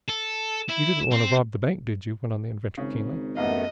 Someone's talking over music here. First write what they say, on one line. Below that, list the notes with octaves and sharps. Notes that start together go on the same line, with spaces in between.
"You didn't want to rob the bank, did you?" went on the inventor, keenly.
A4
E4
C4
G#1 C#3
A1 F#2 A3 B3 D#5 F5